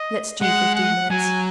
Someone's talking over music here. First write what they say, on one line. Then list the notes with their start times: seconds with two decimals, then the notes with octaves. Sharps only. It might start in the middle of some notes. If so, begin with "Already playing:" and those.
Let stew fifteen minutes.
Already playing: D#5
0.41 G#3 F#5
0.76 F#5
1.10 F#3 G#5